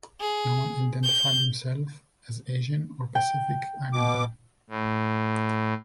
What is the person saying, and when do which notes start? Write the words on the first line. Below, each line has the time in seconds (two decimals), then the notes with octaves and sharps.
No one identified himself as Asian or Pacific Islander.
0.20 G#4
1.04 G6
3.15 G5
3.93 B2 D6
4.70 A2